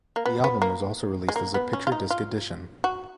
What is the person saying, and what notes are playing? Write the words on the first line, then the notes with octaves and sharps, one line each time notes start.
The album was also released as a Picture Disc Edition.
A#3
B3
B3
A#3
G#3
A#3
B3
C#4
F4
D#4
F4
F#4